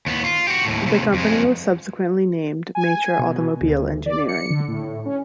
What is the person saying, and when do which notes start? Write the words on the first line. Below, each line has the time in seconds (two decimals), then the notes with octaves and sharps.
The company was subsequently named Matra Automobile Engineering.
0.06 D#2 B3
0.25 F4
0.47 F#4 G4
0.65 D#2 A2
0.86 D#2 C3
1.14 F2 G#3
2.75 G#5
3.19 B2
3.61 D2
4.06 D5
4.29 C#7
4.50 D3
4.68 A2
5.06 C#4